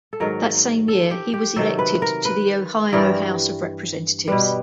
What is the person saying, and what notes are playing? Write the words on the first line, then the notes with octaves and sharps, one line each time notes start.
That same year, he was elected to the Ohio House of Representatives.
A4
G#2 D#3 F#3 A#4
A4
G4
G4
C3 D#3 F#3 A4
B4
A#4
B4
G2 E3 G3 A#4
B2 G3 B4